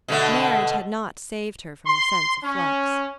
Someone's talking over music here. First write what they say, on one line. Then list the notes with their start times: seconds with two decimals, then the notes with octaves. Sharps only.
Marriage had not saved her from the sense of flux.
0.08 B2 D3 A3
1.86 C6
2.44 C#4